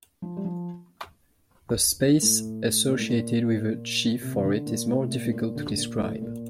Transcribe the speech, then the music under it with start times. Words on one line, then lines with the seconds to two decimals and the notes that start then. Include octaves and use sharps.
The space associated with a sheaf, for it, is more difficult to describe.
0.22 F3
0.37 G3
0.45 F3
2.22 A2
2.89 A#2
2.99 A2
3.10 A#2
4.22 C3
4.34 E3
4.44 D3
4.66 A#2
4.88 A2
5.04 C3
5.11 A#2
5.25 A2
5.33 A#2
5.55 D3
5.77 A#2
5.99 A2
6.22 A#2